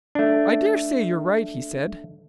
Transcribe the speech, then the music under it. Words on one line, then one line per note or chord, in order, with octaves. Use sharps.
"I daresay you're right," he said.
A3 D4